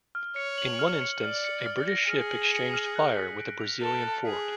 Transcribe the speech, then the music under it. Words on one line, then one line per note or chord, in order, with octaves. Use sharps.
In one instance, a British ship exchanged fire with a Brazilian fort.
F6
C#5 C#7
F#7
F6
C#7
D5 F6
C#7
F6
A#6
G#4 F6
F#7
C#7
F6
F#6
B6
D7
F7
A4 B6
F#6
G#4 B6